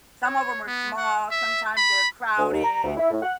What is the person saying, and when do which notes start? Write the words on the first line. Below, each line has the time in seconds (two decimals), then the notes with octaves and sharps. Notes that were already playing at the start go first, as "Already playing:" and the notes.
Some of 'em are small, sometimes they're crowded.
0.24 C#5
0.67 B3
0.97 F#5
1.31 E5
1.77 B5
2.37 D2
2.52 D#2
2.64 A#5
2.84 D2
2.97 E4
3.10 A2
3.22 F#5